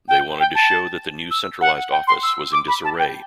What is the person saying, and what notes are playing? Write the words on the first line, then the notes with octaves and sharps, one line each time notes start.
They wanted to show that the new centralized office was in disarray.
G5
G5
A5
E6
F#5
G5
C6
E6
D6
B5
A5
G5